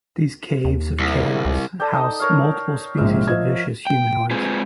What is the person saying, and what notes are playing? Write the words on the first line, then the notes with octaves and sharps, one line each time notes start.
These Caves of Chaos house multiple species of vicious humanoids.
D#2
C2
C#3
C#2
A4 D5 G5
D#4 D#6
A#4 C#5 F5
A#1 G#2 G#3 E5 F5 A#5
F3 D#5 G#6
G5
G#3 C4 F4 G#4 B4 C5